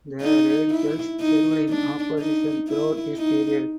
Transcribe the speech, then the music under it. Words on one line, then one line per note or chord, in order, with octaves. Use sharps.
The Radicals served in opposition throughout this period.
D#4
E4
D#4
D4
D#4
E4
D#4